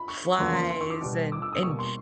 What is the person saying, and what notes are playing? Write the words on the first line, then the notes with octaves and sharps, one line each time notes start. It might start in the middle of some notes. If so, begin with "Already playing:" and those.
flies and and
Already playing: B5
C#6
E2 C#3 F3 A#3 C6
C6
C6
C#6
D6
B2 G3 B3
D6
E6
D#6
B2 G3 A#3 C#6
C6